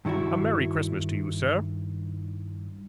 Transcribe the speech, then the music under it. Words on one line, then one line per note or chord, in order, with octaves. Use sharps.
A merry Christmas to you, sir!'
G2 D#3 E4 F#4 E5